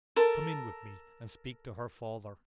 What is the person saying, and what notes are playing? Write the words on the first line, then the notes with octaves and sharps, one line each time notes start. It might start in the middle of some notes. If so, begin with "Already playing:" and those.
'Come in with me, and speak to her father.'
A4 A#4 A5